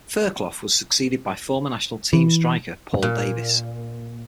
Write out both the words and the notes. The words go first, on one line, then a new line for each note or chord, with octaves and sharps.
Fairclough was succeeded by former national team striker Paul Davis.
E3
A#2